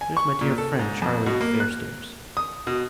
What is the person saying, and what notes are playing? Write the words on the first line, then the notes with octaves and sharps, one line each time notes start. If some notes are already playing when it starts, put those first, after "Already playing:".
There's my dear friend Charlie Fairstairs.
G#5
C#6
A#2
A4
G#2
F2
B2
A#3
F#6
D#6
B2